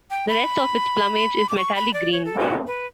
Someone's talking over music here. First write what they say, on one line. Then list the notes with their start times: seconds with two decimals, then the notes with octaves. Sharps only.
The rest of its plumage is metallic green.
0.10 G5
0.29 B5
1.49 D6
1.57 C#6
1.75 B5
1.94 D5
2.12 C#5
2.25 A4
2.39 F#4
2.67 B4